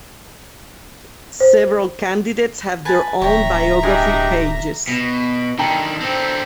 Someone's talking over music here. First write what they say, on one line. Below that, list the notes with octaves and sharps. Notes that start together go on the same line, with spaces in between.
Several candidates have their own biography pages.
C5
B4 G#5 A5
D1 C#5 E5 G5 A#5
G2 G#3 G4 G#5
B2
D3 D#3 G5 A5 A#5
D3 C4